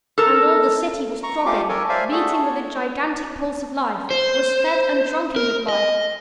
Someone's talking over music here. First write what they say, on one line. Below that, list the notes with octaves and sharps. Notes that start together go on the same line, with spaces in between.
And all the City was throbbing, beating with a gigantic pulse of life--was fed and drunken with life.
A4 A#4
A#5 C#6
A3 C#4 F4 G4 D6
A4 A#4 C#5 G#5
C5 D5 E5 F5 G#5
A3 D4 F#4 G#4 A4
C#5
C5
A#4
D#5